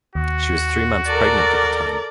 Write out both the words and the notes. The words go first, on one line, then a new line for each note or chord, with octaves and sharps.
She was three months pregnant at the time.
D#2 F#4
A4 A#4 D5